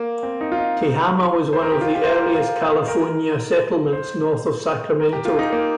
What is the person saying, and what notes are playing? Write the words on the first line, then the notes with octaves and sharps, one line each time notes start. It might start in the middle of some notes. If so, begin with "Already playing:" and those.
Tehama was one of the earliest California settlements north of Sacramento.
Already playing: A#3
C4
D#4
F4
D#4
C5
A#4
G4
F4
G4
C5
A#4
A#4
F4
A#4
C5
A#4
G4
F4
D#4
A#3